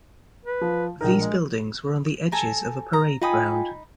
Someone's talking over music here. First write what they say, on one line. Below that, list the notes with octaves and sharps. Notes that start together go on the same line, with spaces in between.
These buildings were on the edges of a parade ground.
B4
F3
A#1 D#4 A#4
G#3
A4 G#5 A#5
A#5
D#4 F4 G5 G#5 B5 D#6